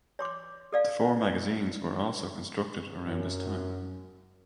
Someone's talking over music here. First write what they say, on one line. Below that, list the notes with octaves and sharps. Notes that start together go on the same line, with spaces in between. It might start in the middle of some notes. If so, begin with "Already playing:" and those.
The four magazines were also constructed around this time.
C#5 C6 D6
A4 D5 F5
F#2